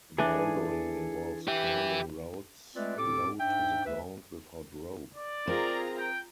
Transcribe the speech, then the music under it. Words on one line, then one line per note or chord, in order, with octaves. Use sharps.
Bouldering involves climbing routes low to the ground without rope.
E3 D4 G#4 A4 G#5
G4 B4 E5
G#3 A3 C4 F4 B4 D5
A2 C4 G4 A4 D6
G#2 D4 E5 G5
D2 B4 E5
D5
C4 F4 G#4 A#4 A#5
G5